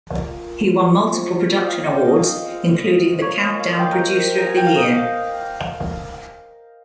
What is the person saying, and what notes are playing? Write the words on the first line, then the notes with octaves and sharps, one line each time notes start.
He won multiple production awards, including the Countdown Producer of the Year.
A#3 F4
F3 G#3 C#4 F4
D#5
A#3 F4 F5
G5
D#5
F5
D#5
G#3 C4 F4
A#3 D#4 C#5
D#5
F5
G5
A#4
A#3 D#4 C5
A#5
G#5
G5
F5
A#3 D#4 D#5
F5